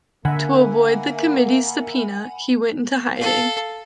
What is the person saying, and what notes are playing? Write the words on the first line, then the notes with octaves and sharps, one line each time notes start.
To avoid the committee's subpoena, he went into hiding.
D3 A#3 A#4 E5 F#5 G#5 B5
A4 F5